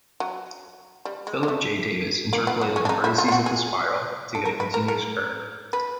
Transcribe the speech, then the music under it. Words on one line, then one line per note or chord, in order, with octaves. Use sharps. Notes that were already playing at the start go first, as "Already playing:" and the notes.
Philip J. Davis interpolated the vertices of the spiral to get a continuous curve.
F#3
G3
G#3
G#3
A3
A#3
B3
B3
C#4
D4
D#4
E4
F4
F4
F#4
G#4
A4
A#4
B4
A#4
A#4
B4